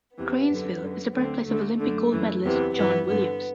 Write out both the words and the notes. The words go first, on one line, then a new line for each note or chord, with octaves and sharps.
Cranesville is the birthplace of Olympic gold medalist John Williams.
E2 C3 E3 B3
F#2 D3
F#2 D3
D2 D3 C4
D2 D3 A3
F#2 D3 A3
F#2 E3
E2 C3 E3 B3
G2 E3 B3
G2 D3 B3